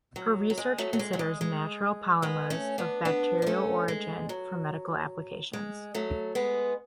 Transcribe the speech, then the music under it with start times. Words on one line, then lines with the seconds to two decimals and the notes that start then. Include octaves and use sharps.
Her research considers natural polymers of bacterial origin for medical applications.
0.16 F#3
0.50 F#3
0.58 G#3
0.78 F#3 A3
0.93 F#3
0.99 G#3
1.13 F#3
1.19 G#3
1.41 G#3
2.22 G#3 B3
2.50 A3 C#4
2.78 B3 D4
3.05 B3 D4
3.42 D4
3.46 A3 C#4
3.88 G#3
4.29 F#3
5.53 G#3
5.95 F#3 A3
6.35 G#3 B3